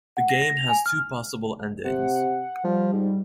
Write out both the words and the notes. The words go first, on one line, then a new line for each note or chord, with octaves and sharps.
The game has two possible endings.
F#5
A#6
A#6
F7
G#5
F6
C3 F#5
F3 G3
G#2